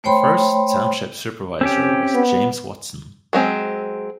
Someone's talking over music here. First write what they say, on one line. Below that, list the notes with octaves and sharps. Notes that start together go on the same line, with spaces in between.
The first Township Supervisor was James Watson.
A3 C5 C#5 G5 B5 C6
C4 C#4 G4
B3
F#3 G#3 C4